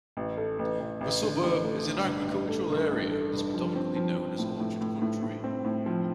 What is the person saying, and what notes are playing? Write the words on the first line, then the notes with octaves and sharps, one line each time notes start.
The suburb is an agricultural area and is predominantly known as orchard country.
A1
A3
A1
A1
A1
D3
A1
A3
D3
G2
A1
A3
G2
A1
A3
G2
F3
C4
F3
F3
A2
A2
A2
A2
A2
C4
A2
F3